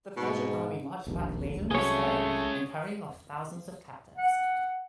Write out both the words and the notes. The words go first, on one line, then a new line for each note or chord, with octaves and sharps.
The Persian army marched back laden with spoil and carrying off thousands of captives.
G#2 B2
E1 A#1 D#2
C2 F#3 G#3 A3 C#4 G#4 C#5
F#5